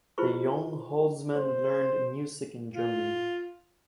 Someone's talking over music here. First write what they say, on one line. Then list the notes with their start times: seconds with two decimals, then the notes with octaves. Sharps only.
The young Holzmann learned music in Germany.
0.18 E4 F4 G#4 B4 C5 C#6
1.36 C5
2.74 F4